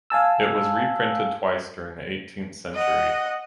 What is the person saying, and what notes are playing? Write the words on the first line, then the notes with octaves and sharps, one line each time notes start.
It was reprinted twice during the eighteenth century.
F5 G#5 A5 E6
D#5 F#5